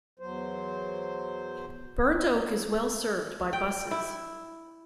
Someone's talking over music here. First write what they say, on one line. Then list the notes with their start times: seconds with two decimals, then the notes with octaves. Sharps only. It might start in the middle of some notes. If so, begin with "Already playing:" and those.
Burnt Oak is well served by buses.
0.19 E2 F#3 C5
3.53 G5
3.91 E4